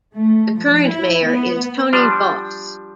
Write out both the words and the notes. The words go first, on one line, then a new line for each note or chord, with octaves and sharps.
The current Mayor is Tony Vauss.
A3
F3
E4
B3
F3 G3 D4